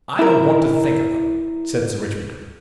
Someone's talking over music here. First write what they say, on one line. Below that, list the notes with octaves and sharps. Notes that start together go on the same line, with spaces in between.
"I don't want to think of them," said Sir Richmond.
E4 A#4